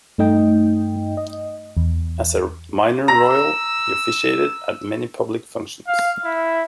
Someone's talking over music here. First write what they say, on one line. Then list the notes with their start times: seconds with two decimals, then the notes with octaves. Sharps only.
As a "Minor Royal", he officiated at many public functions.
0.18 G2 A3 D#4 D#5 G5
1.17 D#5
1.77 E2
3.08 A#5 E6 A#6
5.88 F5
6.24 E4